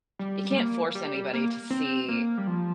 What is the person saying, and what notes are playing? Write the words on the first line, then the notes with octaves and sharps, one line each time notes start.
you can't force anybody to see
G3
G3
A#3
G3
A#3
C4
A#3
G3
F3